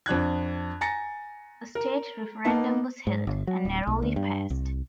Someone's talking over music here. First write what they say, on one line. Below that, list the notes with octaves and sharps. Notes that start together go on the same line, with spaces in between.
A state referendum was held, and narrowly passed.
F2 D4 F#6 G#6
G#5 A#5 A6 A#6 C#7
A#4
A#3 B3 D#4 A5
G#2
G1
F#3
D1
B1
D2
G2
C2